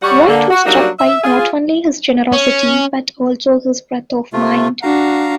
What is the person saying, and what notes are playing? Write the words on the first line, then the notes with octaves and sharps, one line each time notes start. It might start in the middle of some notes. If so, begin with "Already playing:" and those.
White was struck by not only his generosity, but also "his breadth of mind".
G3 C#5 F#5
D3 A#3
F#4
F#3 G3 A#3 D4 D#4 F#4
E5
F4 G#4
C#4
C3 A3 F4
D4 F#4 F5 A#5